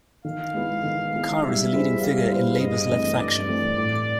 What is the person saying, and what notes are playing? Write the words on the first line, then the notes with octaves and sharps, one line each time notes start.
Carr is a leading figure in Labor's left faction.
D#3 F5
G#3 B3 E4
D#3
G#3 B3 E4
G3 E5
B3 E4 G#4 C5
G3 F5
B3 E4 G#4 C5
G2 D#5
E3 A3 C4
G2 D5
E3 A3 C4
A2